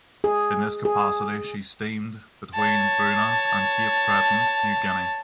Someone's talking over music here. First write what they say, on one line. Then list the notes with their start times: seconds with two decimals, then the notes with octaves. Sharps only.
In this capacity, she steamed between Buna, and Cape Cretin, New Guinea.
0.24 G#4
0.85 G#4
2.55 C#5 A5